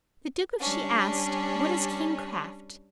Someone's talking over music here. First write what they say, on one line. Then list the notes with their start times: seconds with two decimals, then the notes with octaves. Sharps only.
The Duke of She asked, What is kingcraft?
0.60 G3 C#4 D4